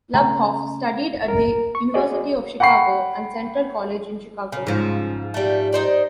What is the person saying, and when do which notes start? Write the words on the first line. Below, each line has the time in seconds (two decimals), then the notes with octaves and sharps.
Luboff studied at the University of Chicago and Central College in Chicago.
0.14 C#3 A3 C#4 A#5
1.28 A#4
1.75 C#6
1.94 F#4 G#4 D5 D#5
2.60 F#5 G5 B5 C#6 C7
4.52 C#3
4.67 G#2 F3
5.34 G3 A3
5.72 D#4 C5 D5